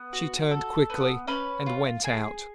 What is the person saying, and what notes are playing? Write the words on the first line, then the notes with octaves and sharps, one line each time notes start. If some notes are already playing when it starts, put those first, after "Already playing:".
She turned quickly, and went out.
Already playing: B3
F#4
A4
B3
C#4 B4
F4
G#4